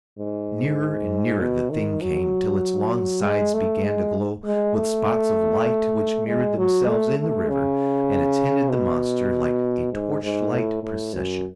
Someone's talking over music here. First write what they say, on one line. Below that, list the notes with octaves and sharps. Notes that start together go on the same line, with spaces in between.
Nearer and nearer the thing came, till its long sides began to glow with spots of light which mirrored themselves in the river and attended the monster like a torchlight procession.
G#2
B2
D#3
F#3
G#3
A3
G#3
G#3
A3
G#3
F#3
A3
A3
C#3
B2
G#2
G#2
A2
A2
F#2